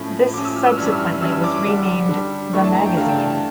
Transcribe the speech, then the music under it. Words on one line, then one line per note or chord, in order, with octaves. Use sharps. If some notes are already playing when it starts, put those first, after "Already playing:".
This subsequently was renamed "The Magazine".
Already playing: A2 F3 C#4
A2 F3 C#4 D6
E6
F6
E6
G2 E3 G3 C#4 F6
E6
F6
G2 E3 G3 C#4 E6
E6
D6
D6
D3 G3 D4
D3 G3 D4
G2 E3 A3 D4 C#6
A5
A#5
G5
G2 E3 A3 D4 F5
G5
A5
A5